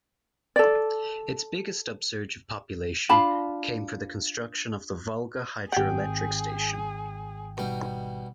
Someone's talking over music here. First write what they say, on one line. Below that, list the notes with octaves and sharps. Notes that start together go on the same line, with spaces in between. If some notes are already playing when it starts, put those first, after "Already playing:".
Its biggest upsurge of population came for the construction of the Volga Hydroelectric Station.
A4 D5
D4 F4 A5 B5
G#1 G4 G#4 F#5 G5
B2 G3 D#4